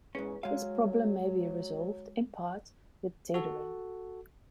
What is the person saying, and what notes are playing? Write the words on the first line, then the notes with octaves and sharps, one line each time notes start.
This problem may be resolved, in part, with dithering.
E2 G#2 C#4
F#3 G#3 F5
F#4 A4